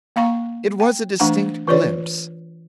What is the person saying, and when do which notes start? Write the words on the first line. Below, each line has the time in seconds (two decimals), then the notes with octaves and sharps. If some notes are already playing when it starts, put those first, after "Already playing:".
It was a distinct glimpse.
0.16 A#3 F5 A#5 C#6
0.80 G5
1.20 E3 A3 D4 F#5 A#5
1.67 E3 F4 B4 C#5 D5